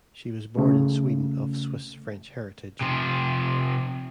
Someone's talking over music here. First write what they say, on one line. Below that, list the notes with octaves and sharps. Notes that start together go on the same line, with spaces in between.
She was born in Sweden of Swiss-French heritage.
C#3 A3
C3 F3